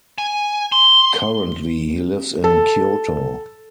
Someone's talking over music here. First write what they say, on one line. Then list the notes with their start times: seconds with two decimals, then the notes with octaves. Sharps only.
Currently he lives in Kyoto.
0.18 G#5
0.72 C6
2.44 A4